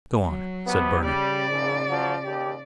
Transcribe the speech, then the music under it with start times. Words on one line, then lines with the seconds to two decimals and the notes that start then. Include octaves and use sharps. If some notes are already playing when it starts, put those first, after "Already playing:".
"Go on," said Bernard.
0.24 F#3
0.67 C3 B3
1.02 C#3 G3 D5
1.50 A#1 G#2
1.88 F3 F#3
2.25 D#2 G4